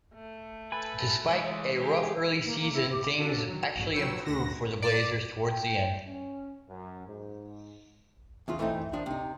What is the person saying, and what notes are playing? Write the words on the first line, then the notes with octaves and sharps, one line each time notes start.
Despite a rough early season, things actually improved for the Blazers towards the end.
A3
A4 B4 G#5
E3 G#3 C#5 D#5
G4 G#4
A#3
A#3
E4
G4
A#3 C#4 D4 F#4 A4
D#3 F#3
A#1 F2 G#2 F#3
F3 F#3 B4 C#5 G5 E6
D2 A2 F#5 A#6
D5
G5
C#4
F#2
G#2
E2 C#3 F4
E3 A3 B3 C4 D#4
D#3 F3 D4
C3 D#4